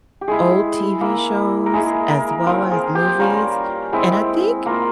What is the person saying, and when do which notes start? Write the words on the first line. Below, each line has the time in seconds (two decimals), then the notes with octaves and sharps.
old TV shows as well as movies, and I think
0.21 G4
0.28 G#3 E4 G#4
1.01 A#3 E4
1.66 A#4
1.74 G#3 E4 G#4
2.10 A#4
2.46 F3 C4 F4 A#4
2.72 G#4
2.95 G4
3.19 G3 C#4 F4 A#4
3.92 G#3 C4 E4
4.66 A#3 F4 A#4